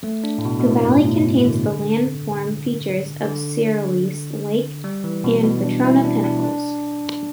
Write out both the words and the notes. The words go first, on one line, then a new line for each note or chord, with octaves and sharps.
The valley contains the landform features of Searles Lake and the Trona Pinnacles.
A3
D4
A2
B2
B2
A2
G2
A2
B2
D3
D3
D3
G3
E3
B2
B2
D4
E4
D4
D4
D4